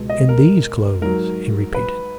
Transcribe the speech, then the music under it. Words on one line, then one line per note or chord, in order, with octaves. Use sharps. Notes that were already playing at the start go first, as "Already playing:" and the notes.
In these clothes,' he repeated.
Already playing: C#2 B2 G#3
D#5
A#4
G#2 F#3 A#4
B4